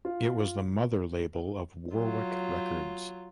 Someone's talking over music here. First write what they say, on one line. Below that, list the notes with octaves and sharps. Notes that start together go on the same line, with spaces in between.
It was the mother label of Warwick Records.
F4
F#3 F4